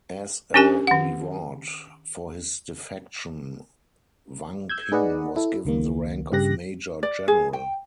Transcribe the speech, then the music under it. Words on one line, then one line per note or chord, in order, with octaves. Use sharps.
As a reward for his defection, Wang Ping was given the rank of Major-General.
C#4 D4 G4 A#4 G#5
D#3 F#5
E6 G6 G#6
D#4 G#4 B4 D5 D#5 F#5
E4 A4
C#2 D#3 A#3
G2 C#3 G4 F#6 A#6
D5
G#4
G5